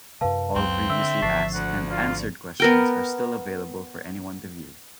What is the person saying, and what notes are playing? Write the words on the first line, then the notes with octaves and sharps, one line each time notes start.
All previously asked and answered questions are still available for anyone to view.
F#2 C3 B4 F5 A5
C#2 F#2 F#3 C4
D3 E5 E6
G#1 D3 F3 D4 C#6 A6 C7
D2 F#5
F4 D5
B3 A#4 G5